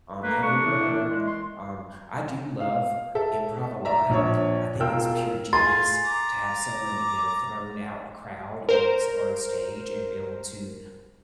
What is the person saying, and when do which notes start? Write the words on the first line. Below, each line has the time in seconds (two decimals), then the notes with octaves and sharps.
Um, have you ever heard Um, I do love improv a lot, I think it's pure genius to have someone, you know, thrown out in a crowd on s or on stage and be able to,
0.23 A3 A#3 B4
0.43 D4 A4 C#6
0.64 E3
1.10 G#3
1.27 C6
2.60 F5
3.15 A4 E5
3.85 D5 E5 A#5
4.09 A#1 D4 C#5
4.79 E1 F4 A#4 G5 E6
5.53 F4 G#4 G#5 C6 A6
6.05 A#5 D6
8.69 A#4 C5